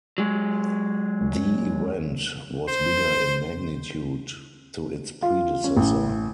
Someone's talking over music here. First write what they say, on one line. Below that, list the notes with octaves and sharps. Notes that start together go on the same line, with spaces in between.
The event was bigger in magnitude to its predecessor.
F#3 G#3
C5
F4
C#4
A1